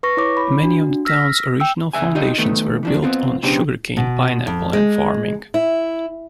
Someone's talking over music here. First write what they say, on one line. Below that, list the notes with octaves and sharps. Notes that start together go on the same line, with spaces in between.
Many of the town's original foundations were built on sugarcane, pineapple and farming.
B4 C#6 A#6
E4 C#5 D6
B5
D4 F#4
E6 F6 A#6 B6
G5 E6
C#2 E5 G#5
D#4 F4 G4 C#5 D#5
D#3 A3 B3
E3 F3 D4
B3 C4 F4
B1 C#3 B3 D4 G4 C5
B2
F2
G#3
E4